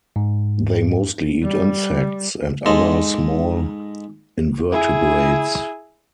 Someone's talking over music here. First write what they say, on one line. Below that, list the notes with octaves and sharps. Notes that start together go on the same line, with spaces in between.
They mostly eat insects and other small invertebrates.
G#2
G3
G#2 G#3 A4 D#5 C6
E4 G#4